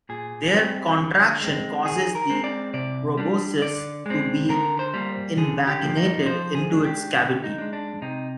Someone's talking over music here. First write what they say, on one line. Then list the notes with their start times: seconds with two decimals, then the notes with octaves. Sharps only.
Their contraction causes the proboscis to be invaginated into its cavity.
0.09 A#2 G#4
0.53 G3 C4
0.97 D3
1.41 G#3 C4
1.85 D#3 G#4
2.15 A#4
2.30 G#3 C4
2.44 D5
2.74 C3 D5
3.17 G3 D4
3.62 D3 D5
4.06 G#3 C4
4.49 D3 A#4
4.79 C5
4.94 G3 A#3
5.37 D3 G#4
5.67 G4
5.82 F3 A#3
5.97 D#4
6.25 F3 C5
6.55 G#4
6.70 G#3 D4
6.85 G4
7.13 D3 G4
7.44 D#4
7.58 G#3 D4
7.73 D4
8.02 C3 D#4